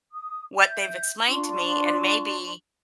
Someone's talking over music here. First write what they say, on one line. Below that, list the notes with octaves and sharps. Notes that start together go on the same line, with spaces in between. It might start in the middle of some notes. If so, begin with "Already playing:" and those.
what they've explained to me, and maybe,
D#6
E5 G6
D4 F4 C6 C#6